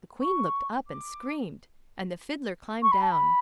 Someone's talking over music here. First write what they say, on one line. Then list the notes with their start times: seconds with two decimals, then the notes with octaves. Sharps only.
The queen looked up and screamed, and the Fiddler climbed down.
0.21 C#6
0.87 D6
2.82 C#6
2.91 B5
3.01 A5
3.11 B5